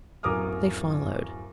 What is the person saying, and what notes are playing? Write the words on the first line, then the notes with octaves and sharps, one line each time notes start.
They followed.
D1 F#2 A#4 D6 D#6 F6